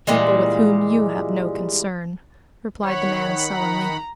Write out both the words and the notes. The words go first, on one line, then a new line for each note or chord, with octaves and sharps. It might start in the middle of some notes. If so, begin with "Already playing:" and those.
"People with whom you have no concern," replied the man sullenly.
A#2 E3 G3 G#3
D#3 C#5 F#5 B5
A#5